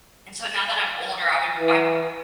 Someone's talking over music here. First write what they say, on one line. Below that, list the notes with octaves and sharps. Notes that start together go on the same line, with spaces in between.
and so now that I'm older, I would I
E3